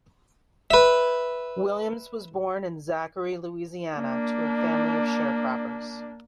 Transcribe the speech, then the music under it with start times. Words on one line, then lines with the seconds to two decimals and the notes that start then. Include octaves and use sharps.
Williams was born in Zachary, Louisiana, to a family of sharecroppers.
0.71 B4 E5
3.95 A#3 D4